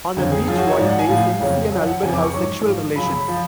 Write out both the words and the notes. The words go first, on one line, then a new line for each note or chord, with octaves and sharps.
On a beach one day, Cenci and Albert have sexual relations.
F2 D3 F#3
G#4
F#2 F3 F4
F#4
C#5
G#2 F3 D5
F#5
G#5
A2 F3 F5
F2 C#3 F#3
F#2 F3
F#5
F2 C#3 F3 G#5
D6
C#6
G#2 F#3 C#6
G#2 F3
F#2 C#3 F3 B5
B5
F3